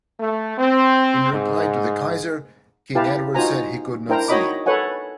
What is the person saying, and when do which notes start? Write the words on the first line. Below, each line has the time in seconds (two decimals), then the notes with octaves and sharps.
In reply to the Kaiser, King Edward said he could not see it.
0.20 A3
0.58 C4
1.32 G#2
2.95 E4 G4 B4 F5 A5
3.35 D#4 F4 F#4 C5 G#5 A#5
4.08 D4 E4 A#4 C5 G5 A#5
4.28 D#4 F#4 C#5 D#5 B5 D6
4.66 A4 B4 C#5 F#5 G#5